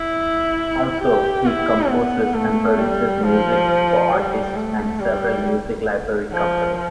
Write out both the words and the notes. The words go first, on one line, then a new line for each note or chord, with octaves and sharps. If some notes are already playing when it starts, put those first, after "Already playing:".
Also, he composes and produces music for artists and several music library companies.
Already playing: E4
G4
E4
B3
A3
G3
F3
G3
A3
G3
F3